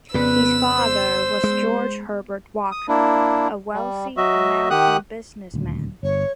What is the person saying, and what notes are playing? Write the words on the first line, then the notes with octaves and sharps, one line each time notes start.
His father was George Herbert Walker, a wealthy American businessman.
F2 C#3 B3 B4 D5 E6
C5
G#3
D#6
A#3 D4 E4
G3
F#3 F#4 D#5 E5
D#3 G4 F#5 D#6 F#6
D#1 D2
G1 C#5